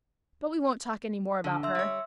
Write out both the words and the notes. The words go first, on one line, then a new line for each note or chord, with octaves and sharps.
But we won't talk any more about her.
D3
E5 C6 E6
G3 C#5